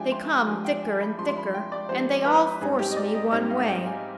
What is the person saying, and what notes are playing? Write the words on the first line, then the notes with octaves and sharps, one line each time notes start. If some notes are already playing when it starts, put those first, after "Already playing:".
They come thicker and thicker, and they all force me one way.
Already playing: F3 G#3 D4 G4 G5 G#5
C6
F3 G#3 D4 G4 G#5
G5
G#5
B5
F3 G#3 D4 G4 C6
C6
B5
G5
D5
F3 G#3 D4 G4 C5
B4
G#2 G3 C4 D#4 G#4
G4
D#5
D5
D#5
G#2 G3 C4 D#4 D#5
F5
G5
G#5